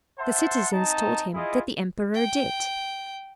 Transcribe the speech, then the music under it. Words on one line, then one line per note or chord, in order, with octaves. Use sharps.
The citizens told him that the emperor did.
C5 E5 F#5 A5 C6
C4 D#4 A5 A#5
E4 F4 G#4 D#5
G5